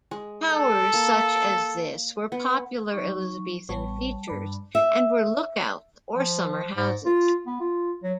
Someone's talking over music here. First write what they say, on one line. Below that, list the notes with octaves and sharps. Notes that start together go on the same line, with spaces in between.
Towers such as this were popular Elizabethan features and were lookouts or summer houses.
G#3
A4
A#3
B3
F#3 D#4 C#6
A1 G3 B3 C#5 A5
G2 B4 D5
E5
F3
G#2
F4
B3
F4
F#3